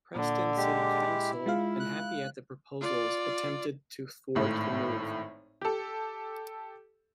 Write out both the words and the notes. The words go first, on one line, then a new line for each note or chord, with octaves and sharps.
Preston City Council, unhappy at the proposals, attempted to thwart the move.
A#2 D3
G#3 G4
E4
G#3 F4 F5
F#6
F4 D5
G#1 A2
G4 A4